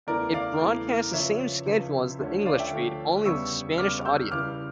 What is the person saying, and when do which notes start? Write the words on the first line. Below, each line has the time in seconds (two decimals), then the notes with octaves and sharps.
It broadcast the same schedule as the English feed, only with Spanish audio.
0.07 E2 C#3 E3 A3 A#4 D5
0.34 D5 F5
0.60 E2 C#3 E3 A3
1.13 C#2 C#3 F3 C#5 E5
1.66 C#2 C#3 F3
2.19 D2 D3 F3 A3 C#4
2.45 D5 F5
2.59 E5 G5
2.73 D2 D3 F3 A3 C#4
3.25 E2 C#3 G3 C#6 E6
3.78 E2 C#3 G3 D6 F6
4.05 E6 G6
4.31 C#2 C#3 E3 G3 D6 F6